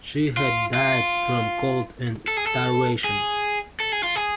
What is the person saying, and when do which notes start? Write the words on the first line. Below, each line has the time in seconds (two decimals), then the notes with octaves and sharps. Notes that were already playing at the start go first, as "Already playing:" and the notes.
She had died from cold and starvation.
0.37 F4
0.74 F4
2.28 A4
2.37 G#4
2.47 A4
3.04 G#4
3.80 A4
3.92 G#4
4.03 F4
4.15 G#4